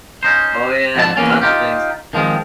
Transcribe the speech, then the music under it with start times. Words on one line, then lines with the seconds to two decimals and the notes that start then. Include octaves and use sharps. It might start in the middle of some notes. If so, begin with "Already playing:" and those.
Oh, yeah. Tons of things.
0.23 C#4 D#4 C5
0.96 F2 G#2 D3 G#4 A5
1.17 E2 C3 A#3 C#4
1.41 D#4 F4 G4
2.13 D#3 F3 G#3 C4